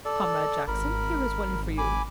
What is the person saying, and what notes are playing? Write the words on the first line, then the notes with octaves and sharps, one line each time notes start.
Comrade Jackson, here is one for you.
A4 D5
G#1 A#4 B5
G#5 B5 D6